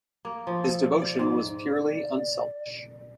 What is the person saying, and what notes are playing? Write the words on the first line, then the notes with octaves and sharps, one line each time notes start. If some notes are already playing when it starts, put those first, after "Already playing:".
His devotion was purely unselfish.
A#3
F3
A4
D5
G#2
D5